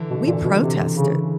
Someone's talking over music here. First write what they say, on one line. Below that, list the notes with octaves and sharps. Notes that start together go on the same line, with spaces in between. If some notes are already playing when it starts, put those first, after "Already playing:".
we protested,
Already playing: D3 E3
B2
A#2
B2
C3
C#3